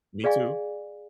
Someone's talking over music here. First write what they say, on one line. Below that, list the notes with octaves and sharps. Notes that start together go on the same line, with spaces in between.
Me too.
G#4 D5 D#5 F5 G#5 C#6